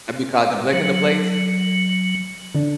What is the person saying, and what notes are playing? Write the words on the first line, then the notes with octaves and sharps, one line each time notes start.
Have you caught them licking the plates?
F#3
D3 D4